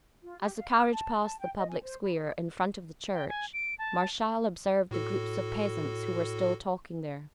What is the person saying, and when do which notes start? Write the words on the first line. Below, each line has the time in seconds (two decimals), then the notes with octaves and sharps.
As the carriage passed the public square in front of the church, Martial observed the groups of peasants who were still talking there.
0.22 F4
0.39 G4
0.56 F5
0.71 F6
0.92 A5
1.22 A5
1.39 G5
1.56 D#5
1.68 G#5
1.82 C5
2.02 B5
2.14 G#4
3.13 G5
3.29 G#5
3.54 D7
3.79 A5
4.91 A2 F#4 A4